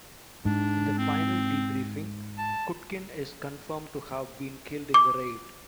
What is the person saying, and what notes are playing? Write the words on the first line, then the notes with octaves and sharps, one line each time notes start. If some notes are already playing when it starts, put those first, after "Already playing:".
In the final debriefing, Kutkin is confirmed to have been killed in the raid.
G#2 D4
C4
A5
D6